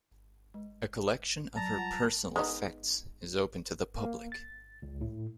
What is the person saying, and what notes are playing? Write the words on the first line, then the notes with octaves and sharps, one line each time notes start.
A collection of her personal effects is open to the public.
G#3
F#3 A5 A#5
G3 F4 F#5
G#3 B3 D#4
A#3
A6
C#2
A2